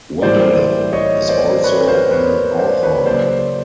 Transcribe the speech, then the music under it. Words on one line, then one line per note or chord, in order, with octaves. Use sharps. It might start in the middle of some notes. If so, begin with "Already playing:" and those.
Waddell is also an author.
A2 E3 G3 A#3 C5 D5
C#5 D#5
C5 D5
B4 C#5
A#4 C5
B4 C#5
C5 D5
B4 C#5
C#3 F#3 A#3 C5 D5